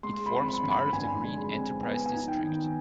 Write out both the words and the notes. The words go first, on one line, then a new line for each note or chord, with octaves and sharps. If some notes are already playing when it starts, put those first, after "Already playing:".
It forms part of the Green Enterprise District.
G#3 C6
B5
C4
B5
D3
B5
D3 G#5
G#3
C4
B3 G#5
G#5
D#4
G5
D#3